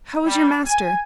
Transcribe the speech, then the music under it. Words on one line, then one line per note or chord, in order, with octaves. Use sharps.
How is your master?
G3
G#5